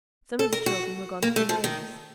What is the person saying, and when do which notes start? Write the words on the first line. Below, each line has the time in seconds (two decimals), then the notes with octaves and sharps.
Some of the children were gone to the neighbours.
0.39 A4
0.53 A#4
0.66 F#4
1.22 A#3
1.36 A3
1.49 F3
1.64 D#3